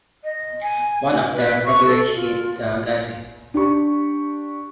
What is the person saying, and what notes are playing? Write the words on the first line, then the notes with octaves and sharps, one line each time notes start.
One of them probably hit the "Ghazi".
D#5
G#5
B4
C#6
A4
F4
D4 G4 C#6